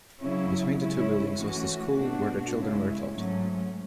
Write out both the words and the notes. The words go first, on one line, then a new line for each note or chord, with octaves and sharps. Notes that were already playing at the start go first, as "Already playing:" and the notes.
Between the two buildings was the school where the children were taught.
C#3 F#3 C#4 E4
C#3 G#3 C#4 E4
E3 A3 C#4 F#4
B2 A3 D4 F#4
C#3 G#3 C#4 E4
G#2 F#3 A3 C#4